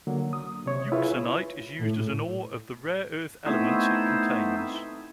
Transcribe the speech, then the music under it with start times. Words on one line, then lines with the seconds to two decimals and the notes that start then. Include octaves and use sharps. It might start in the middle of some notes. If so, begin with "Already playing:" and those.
Euxenite is used as an ore of the rare earth elements it contains.
0.07 D3 F#3 A#3
0.33 D#6
0.66 C3 C#5
0.92 E4 F4 G#4 B4 C#5
1.79 A2
3.46 A3 B3 C4 D#4 E4